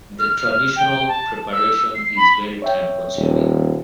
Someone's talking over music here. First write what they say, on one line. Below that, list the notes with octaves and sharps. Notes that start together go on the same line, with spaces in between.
The traditional preparation is very time-consuming.
F6
F6
G5
A5
E6
C7
B5
C#5 E5 G5
D#1